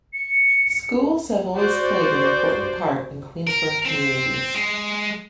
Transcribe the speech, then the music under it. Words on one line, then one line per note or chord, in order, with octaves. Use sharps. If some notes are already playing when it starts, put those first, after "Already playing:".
Schools have always played an important part in Queensland communities.
C#7
F#4 C5 D5
A#4
C4
G#3